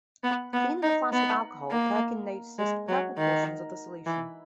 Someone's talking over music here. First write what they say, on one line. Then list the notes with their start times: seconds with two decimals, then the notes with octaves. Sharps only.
Cleaning the flask with alcohol, Perkin noticed purple portions of the solution.
0.24 B3
0.53 B3
0.83 D#4
1.13 B3
1.71 A#3
2.59 G#3
2.88 F#3
3.18 D#3
4.06 E3